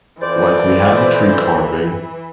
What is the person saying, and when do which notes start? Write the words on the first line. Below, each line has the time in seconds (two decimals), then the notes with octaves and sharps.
like, we have the tree carving.
0.22 F2 E3 C5 D5